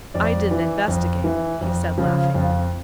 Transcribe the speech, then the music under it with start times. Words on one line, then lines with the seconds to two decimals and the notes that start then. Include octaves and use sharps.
"I didn't investigate," he said, laughing.
0.14 F2 D5
0.51 E3
0.88 F2
1.24 E3
1.61 F2
1.98 C#3 F3
2.34 F2 F4